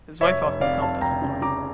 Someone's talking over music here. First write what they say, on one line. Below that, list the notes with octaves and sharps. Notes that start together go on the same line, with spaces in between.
His wife often helped as a model.
F1 C#5 E5
F1
F2 D5 F5
F2 F5 A5
F1 G5 A#5
C#3
C#3 A#5 D6